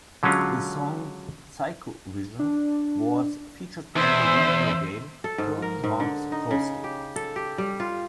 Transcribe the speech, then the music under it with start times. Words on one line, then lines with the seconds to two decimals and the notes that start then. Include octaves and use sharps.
The song "Cyco Vision" was featured on the video game "Tony Hawk's Pro Skater".
0.23 D3 F#3 G#3 C#4 F4
2.39 D4
3.96 E2 C5 E5
5.24 A4
5.38 G#2
5.62 A#4
5.84 G#2
6.00 D3
6.32 D#4
6.51 C#3
6.84 G4
7.16 A4
7.36 G4
7.58 G3
7.80 F4